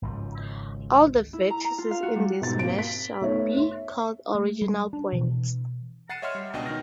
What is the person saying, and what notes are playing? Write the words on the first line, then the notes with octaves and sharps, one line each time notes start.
All the vertices in this mesh shall be called original points.
G#1 C#2 G#2 F3
E4
A#5
A#5
F4
F5
F#4
G3
G#2 B2 A6
A#3 C4 D7
B6
A3 B3 D#4 C#5
E5
A3
G3
D4
B2 E3
F#5 A6 C7 C#7 D#7 E7
C#5 D#5 E5 F#5 C6 F6
G3
C#2 B2 D4 D#5 G5
B2 D#3 D#4 F6 A#6